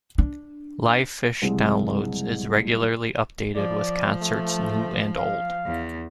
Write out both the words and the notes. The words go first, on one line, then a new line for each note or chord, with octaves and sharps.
LivePhish Downloads is regularly updated with concerts new and old.
D4
F#1 C2 G#3 C4
F3 D5
A3
F5
E2